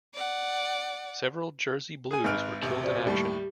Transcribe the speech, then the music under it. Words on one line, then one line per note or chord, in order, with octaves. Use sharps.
Several Jersey Blues were killed in action.
D5 F#5
G#4 G#5
G#1 G#2 B4 F6 D7
E1 A1 C3
F#4 C5 D5
D#2 A2 G3 G4